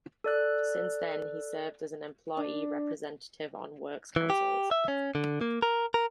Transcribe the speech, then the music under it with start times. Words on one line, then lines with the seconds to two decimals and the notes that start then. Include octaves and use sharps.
Since then, he served as an employee representative on works councils.
0.24 A4 D5 F#6
2.37 D4
4.16 E3
4.30 G4
4.71 E5
4.88 C#4
5.15 D3
5.41 A#3
5.62 A#4
5.94 A#4